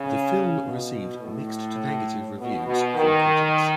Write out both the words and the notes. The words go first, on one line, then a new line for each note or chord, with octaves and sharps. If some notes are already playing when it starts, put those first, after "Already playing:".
The film received mixed-to-negative reviews from critics.
Already playing: C#3
B2
A2
B2
B2
D#3